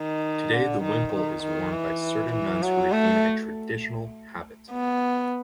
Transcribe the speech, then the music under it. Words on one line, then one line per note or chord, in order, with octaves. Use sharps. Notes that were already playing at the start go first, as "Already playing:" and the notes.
Today the wimple is worn by certain nuns who retain a traditional habit.
Already playing: D#3
D3
D#3
D#3
D#3
E3
E3
F#3
A3
B3